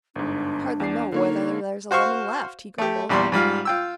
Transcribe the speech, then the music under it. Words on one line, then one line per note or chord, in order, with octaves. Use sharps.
"I hardly know whether there's a lemon left," he grumbled.
G1 G#2 D4
E2 D5 C7
D3 A#3 D#4 C#5
F#4 C5 F5 C#6
A3 G4
A#1 E2 G3 D5 C6
G#2 G3 F4 F5
F4 G5 E6